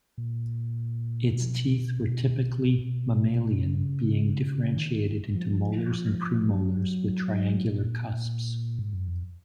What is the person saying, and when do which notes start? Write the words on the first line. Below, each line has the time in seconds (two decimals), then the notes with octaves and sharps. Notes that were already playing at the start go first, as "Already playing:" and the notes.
Its teeth were typically mammalian, being differentiated into molars and premolars with triangular cusps.
0.18 A#2
1.32 B2
3.62 C#3
4.77 D#3
5.35 F3
6.49 F#3
7.65 A#2
8.79 G#2
8.93 F#2
9.08 F2